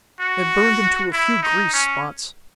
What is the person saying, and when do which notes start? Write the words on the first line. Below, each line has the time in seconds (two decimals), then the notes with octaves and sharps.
It burned him to a few grease spots.
0.20 F#4
1.12 E4
1.42 D#4
1.73 C#4